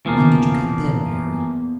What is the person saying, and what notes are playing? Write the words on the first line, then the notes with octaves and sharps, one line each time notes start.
"When did you get them, Harry?"
E2 A#2 E3 F3 A#3